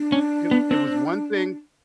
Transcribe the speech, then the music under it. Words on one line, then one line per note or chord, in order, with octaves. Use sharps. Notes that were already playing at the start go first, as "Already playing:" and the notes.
It it was one thing
Already playing: D4
C#4
B3
C4